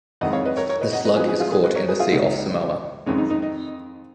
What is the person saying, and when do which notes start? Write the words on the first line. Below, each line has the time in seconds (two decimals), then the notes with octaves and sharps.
The slug is caught in the sea off Samoa.
0.21 F2 D#3 G#3 D#5 F#5
0.33 C#5 F5
0.45 B4 D#5
0.57 A#4 C#5
0.69 A#4 C#5
0.81 B4 D#5
0.92 D#5 F#5
1.04 B4 D#5
1.16 G#2 F3 B3 G#4 B4
1.29 G#4 B4
1.40 F4 G#4
1.52 G#4 B4
1.63 B4 D#5
1.75 A#4 C#5
1.88 G#4 B4
1.99 F4 G#4
2.11 C#2 B2 A#3 D#4
3.06 F2 D#3 G#3 C#4
3.18 D#4
3.30 D#4
3.42 D#4